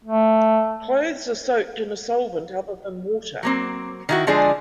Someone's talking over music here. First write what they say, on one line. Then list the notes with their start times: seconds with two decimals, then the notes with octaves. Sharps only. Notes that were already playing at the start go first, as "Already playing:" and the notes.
Clothes are soaked in a solvent other than water.
0.04 A3
3.43 F#3 A#3 C4
4.09 D#3 E4 F#4
4.27 D3 F3 G#3 D4 G#4